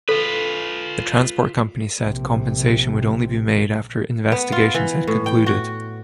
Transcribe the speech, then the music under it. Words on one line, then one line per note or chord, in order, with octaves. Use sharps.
The transport company said compensation would only be made after investigations had concluded.
F4 A4 B4
A#1 C3
B3
F4
E3
A2
G5
F#4